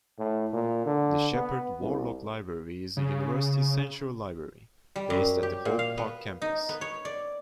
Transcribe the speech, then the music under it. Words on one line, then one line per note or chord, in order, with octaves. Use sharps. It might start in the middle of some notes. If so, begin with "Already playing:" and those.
The Sheppard-Worlock Library is the university's central library, based at the Hope Park campus.
A2
A#2
D3
B3
C2
C#3
G3
F#2
G4
A#2
F5
B3
D#4
B3
C#5
D5